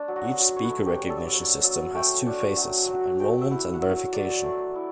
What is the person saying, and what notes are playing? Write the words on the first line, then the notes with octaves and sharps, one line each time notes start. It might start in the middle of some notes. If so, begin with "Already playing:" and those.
Each "speaker recognition" system has two phases: Enrollment and verification.
Already playing: A3 D4
F#3
F#4
F#3
C#5
B4
A3
G4
D4
A4
E5
D5
F#3 C#5
F#3 E5
A3 G5
D4
F#3
F#3
A3 G5
E5
E4 F#5
F#5
F#3 E5
F#3 D5
A3
E4